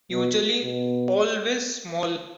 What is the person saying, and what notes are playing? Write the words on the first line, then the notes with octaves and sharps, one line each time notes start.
Usually always small!
B2
B2